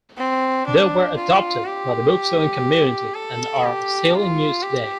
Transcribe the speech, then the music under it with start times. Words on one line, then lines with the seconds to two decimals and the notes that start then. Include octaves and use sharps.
They were adopted by the bookselling community and are still in use today.
0.17 C4
0.67 D4
1.16 F4
1.66 G4
3.15 A4
3.64 G4
4.14 F4
4.63 G4